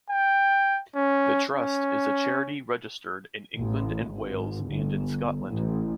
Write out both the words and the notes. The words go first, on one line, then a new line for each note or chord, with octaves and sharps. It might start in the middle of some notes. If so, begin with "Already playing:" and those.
The Trust is a charity registered in England and Wales and in Scotland.
G5
C#4
C#4
A1
G#1
G1
A1